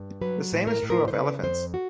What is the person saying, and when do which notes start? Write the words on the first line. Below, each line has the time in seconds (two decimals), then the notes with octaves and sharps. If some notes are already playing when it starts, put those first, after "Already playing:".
The same is true of elephants.
Already playing: G2
0.21 F#3 B4
0.52 A2
0.67 A#4
0.83 A2
0.90 A#4
1.08 C5
1.13 C#3 B4
1.43 F2 C5
1.74 F#4